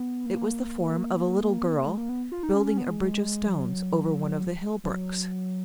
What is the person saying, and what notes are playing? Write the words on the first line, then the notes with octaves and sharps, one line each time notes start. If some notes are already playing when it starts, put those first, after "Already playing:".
It was the form of a little girl, building a bridge of stones over one of the hill-brooks.
Already playing: B3
A#3
A#3
B3
A#3
G#3
A#3
B3
F4
D#4
C#4
C#4
B3
G#3
F#3
F#3